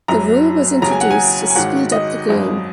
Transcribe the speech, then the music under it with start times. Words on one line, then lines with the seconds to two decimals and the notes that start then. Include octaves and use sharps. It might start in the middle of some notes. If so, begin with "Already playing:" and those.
The rule was introduced to speed up the game.
0.08 F#1 F#2 F#3 A#5
0.82 D#2 C#3 F#3 A#5
0.91 G#5
1.01 F#5
1.11 G#5
1.50 G#5
1.56 G#1 G#2 D#3 F#3 F#5
1.92 D#5
2.28 G#1 F#2 F#3